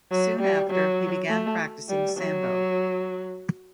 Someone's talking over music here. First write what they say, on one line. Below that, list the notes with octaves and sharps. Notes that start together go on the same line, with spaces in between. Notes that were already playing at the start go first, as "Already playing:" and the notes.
Soon after, he began practicing sambo.
F#3
G3
F#3
A3
G3
F#3